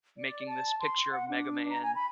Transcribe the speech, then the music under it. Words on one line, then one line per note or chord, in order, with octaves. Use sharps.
making this picture of Mega Man
D5
A5
C6
F#5
D4
A#5
G#5
B5